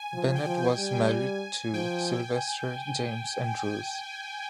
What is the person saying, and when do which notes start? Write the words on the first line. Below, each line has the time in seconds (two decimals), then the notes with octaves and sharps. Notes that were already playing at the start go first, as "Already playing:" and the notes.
Bennett was married to Sylvester James Andrews.
Already playing: G#5
0.14 F3
0.35 G5
0.45 F3 G#5
0.78 G3
1.74 F3 G5